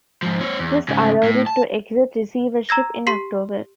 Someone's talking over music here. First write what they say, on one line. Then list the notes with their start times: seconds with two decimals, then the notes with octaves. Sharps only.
This allowed it to exit receivership in October.
0.23 G#2 F3
0.41 C4 C#5
0.59 E2
0.88 G#2 C#3
1.23 A2
1.46 A5
2.69 A#5 E6 G#6 A#6
3.07 G4 C6 B6 C7